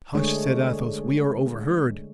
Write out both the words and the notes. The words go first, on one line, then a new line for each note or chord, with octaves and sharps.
"Hush!" said Athos, "we are overheard."
D3 G#3 A3 D4 G#4 C#5